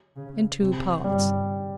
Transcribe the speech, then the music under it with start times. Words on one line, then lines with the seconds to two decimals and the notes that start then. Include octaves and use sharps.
In Two Parts.
0.16 C#3
0.60 C3
1.04 G2 G3